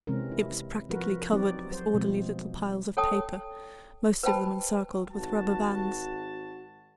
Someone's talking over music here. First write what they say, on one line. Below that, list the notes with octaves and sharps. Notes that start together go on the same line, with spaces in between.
It was practically covered with orderly little piles of paper, most of them encircled with rubber bands.
C3 E3 G#3 C4 C#4 A#4
E4
F3 F#4 A#4 B4
F#3 C4 D#4 G4 D5
C5
B2 F3 G#3 C4
A4 C#5 G5 A5 D#6
B4 C5 D#5 G5 A5 B5
G#1 F#4 A5